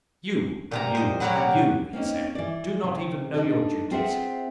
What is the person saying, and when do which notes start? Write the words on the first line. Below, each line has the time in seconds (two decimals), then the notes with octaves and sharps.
'You, and you, and you,' he said, 'do not even know your duties.
0.71 A#2 G4 A#5
0.95 C5 D#5
1.20 F#3 E4 F#4 G4 A#4 C#5
1.93 A#3 C4 C#4 D#4
2.35 E3 D5
2.84 C3
3.34 D4 D#4 A4
3.91 C4 F4 G#4 C5 E5 F#5